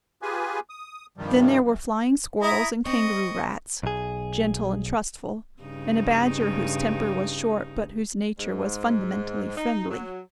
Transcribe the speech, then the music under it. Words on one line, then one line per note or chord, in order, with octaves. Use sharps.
Then there were flying squirrels, and kangaroo rats, gentle and trustful, and a badger whose temper was short but whose nature was fundamentally friendly.
F4 G4 G#4 B4 G#5
D#6
G2 C3 D#3 F3 G3
F#2
E4 A#5 D#6
C4 D#5 C#6
B1 G#4
G2 C#3 D#4
G#2
D#4
F#3